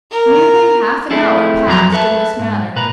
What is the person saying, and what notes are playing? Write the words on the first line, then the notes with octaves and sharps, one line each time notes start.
Nearly half an hour passed in this manner.
A#4
A3 C4 E4 G#4 A4
F2 F#3 D4 A#5
A4 B4 E5 A5
G#2
A#2 B4 A#5